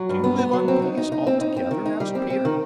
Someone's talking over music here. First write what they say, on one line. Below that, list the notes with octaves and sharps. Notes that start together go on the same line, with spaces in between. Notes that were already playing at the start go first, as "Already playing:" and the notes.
"Do you live on bees altogether?" asked Peter.
Already playing: F#3
G2
B3
B3
F#3
C4
D#4
D#4
D#4
C4
D#4
C4
D#3
D#4
G3
C4
C4
D#3